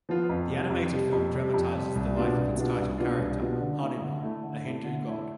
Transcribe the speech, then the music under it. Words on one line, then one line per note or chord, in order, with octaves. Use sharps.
The animated film dramatizes the life of its title character, Hanuman, a Hindu God.
F3 B3 F4
F2
C3 G3
F2
C3 G3
F2
C3 G3
F2
C3 G3
C2
B2 B3 D4 F4
C2
B2 B3 D4 F4
C2
B2 B3 D4 F4
C2
B2 B3 D4 F4
D3
A3 E4
D3
A3 E4
D3
A3 E4
D3
A3 E4